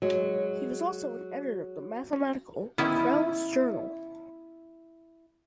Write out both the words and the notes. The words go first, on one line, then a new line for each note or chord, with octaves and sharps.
He was also an editor of the mathematical "Crelle's Journal".
F#3 G#3
D#3 B3 C#4 E4